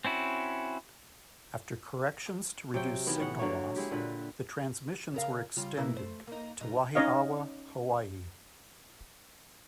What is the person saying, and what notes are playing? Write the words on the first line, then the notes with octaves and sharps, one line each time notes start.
After corrections to reduce signal loss, the transmissions were extended to Wahiawa, Hawaii.
C4 C#4 E4 F#4
C3 F#3 G5
D#3 E3 B3 G4
A2 F#5
D3 F#3 A#3 C#5
G#3 E4 G4
A#2 D3 B4
C#3 A#4 F5
C#3 G3 F4
B2 A#3 E4
A3 C5
A#3 D#4
G2 B2 D#4
C#4 D#4 C#5 D#5 F5